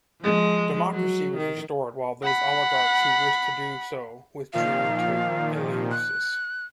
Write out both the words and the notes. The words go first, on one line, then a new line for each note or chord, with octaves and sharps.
Democracy was restored, while those oligarchs who wished to do so withdrew to Eleusis.
F3 G#3
F#3
D#3
F#5 B5
A#2 D#3 F3 F5
F#6